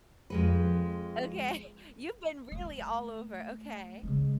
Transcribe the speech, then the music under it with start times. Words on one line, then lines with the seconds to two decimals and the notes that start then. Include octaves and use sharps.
Okay, you've been really all over, okay.
0.30 F2 G#3 B4
2.52 A3
4.03 C#3 G#3